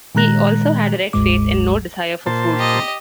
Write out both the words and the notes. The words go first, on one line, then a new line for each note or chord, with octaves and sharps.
He also had a red face and no desire for food.
A#2 D#3 G#3 A#5 F#6 A#6
G1 D2 G#2 G#3 D6
A#2 C5 A5
G4 D#5